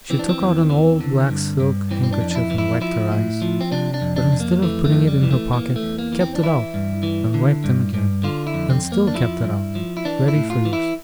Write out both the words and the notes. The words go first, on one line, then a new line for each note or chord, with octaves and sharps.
She took out an old black silk handkerchief and wiped her eyes; but instead of putting it in her pocket, kept it out, and wiped them again, and still kept it out, ready for use.
E3 C4
D4
C4
E2
E3
D3
G2
G2
E3 C4
C4
D4
F2
D4
E4
E3
E4
F3 E4
A2
F3
C4
C3 D4
D4
F2
D4
F2
A#3
E3 A3
A3
F2
G3
E3
A3
E3 A#3
A3
E2
A#3
E3
C4
D4
E3 E4
G2
E3
D3
G2
G2
D3 F4
E4
F2
C4
F2
A#3
D4
F3 E4
G2
F3
E4
E3 D4
E4
A2
F4
E3
E4